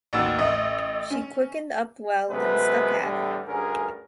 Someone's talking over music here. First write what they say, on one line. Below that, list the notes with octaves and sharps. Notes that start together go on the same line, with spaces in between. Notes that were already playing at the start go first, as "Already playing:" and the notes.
She quickened up well and stuck at it.
A1 D#2 F#4 E6 A6
A1 D#5 E5
C#4
F#2 C3 G#3 A3 B3 B4
E2 A2 D3 G3
D2 G2 D3 C#4 G#4 A#4